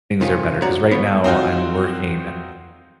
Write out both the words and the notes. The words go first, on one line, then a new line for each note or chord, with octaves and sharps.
things are better. 'Cause right now, I'm working
C3 D#3 C#4 F4
C2 F#4 C#5 D5 A#5
F2 B3 C#5
C4 D#4 F4 F#4